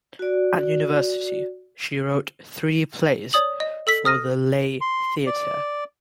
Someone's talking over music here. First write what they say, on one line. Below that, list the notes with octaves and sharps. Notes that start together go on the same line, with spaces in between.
At university she wrote three plays for the lay theatre.
F#4 D5
C#5 D5 D#6 F#7
D#5
A4 E6 B6 F#7
D#6 F6 A#6 D#7
C6
D5